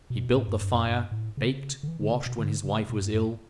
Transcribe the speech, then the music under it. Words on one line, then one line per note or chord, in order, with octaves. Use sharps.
He built the fire, baked, washed, when his wife was ill.
B2
A2
G2
G2
F#2
G2
A2
C#3
D3
E3
D3
C#3
B2
D3
C#3
B2
G2
G2